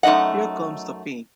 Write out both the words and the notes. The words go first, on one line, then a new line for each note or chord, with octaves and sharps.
Here Comes the Pain.
F#2 A3 D#4 D#5 F#5